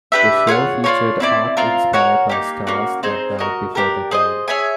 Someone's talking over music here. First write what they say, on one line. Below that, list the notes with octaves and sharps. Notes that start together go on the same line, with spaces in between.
The show featured art inspired by stars that died before their time.
D4 G4 B4 E5
F4 G#4 C#5 F#5
D4 F4 A#4 C#5
C4 E4 A4 D5
C4 F4 A#4
F#4 A#4 C#5 F#5
A#3 D#4 G4
A#3 C#4 F#4
C4 D#4 G#4 C5
F#4 A#4 D#5
D4 G4 A#4
G#4 C5 D#5
G#4 C#5 E5 G#5